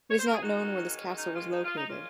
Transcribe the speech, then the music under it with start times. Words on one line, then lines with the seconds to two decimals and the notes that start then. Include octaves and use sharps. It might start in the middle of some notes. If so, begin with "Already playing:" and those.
It is not known where this castle was located.
0.11 C#5
0.19 C5
0.27 A#4
0.35 G#4
0.42 F#2 D#3 G#3 C#4 D#4 F#4
1.16 D#4
1.34 F4
1.52 D#4
1.64 F4
1.76 D#4
1.89 A#2 G#3 C#4 F4